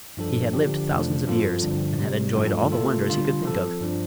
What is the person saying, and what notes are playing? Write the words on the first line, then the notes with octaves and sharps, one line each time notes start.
He had lived thousands of years, and had enjoyed all the wonders he could think of.
G2 F3 D4 A4
D3 F3 D4 G4
F2 C3 F3 A3 D4
G2 F3 C4 F4 A4
G2 D3 F3 D4
C3 G3 C4
G2 F3 A3 F4 A4
C3 A3 F4 A4
D3 G3 D4 F4
F3 C4 A4
G2 F3 D4